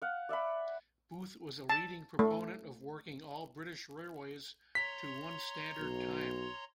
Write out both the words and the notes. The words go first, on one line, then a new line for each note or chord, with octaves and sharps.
Booth was a leading proponent of working all British railways to one standard time.
F5 F#5
D5 E5 F#5 B5
A5
A3
C#5 A#5 C6 B6
B1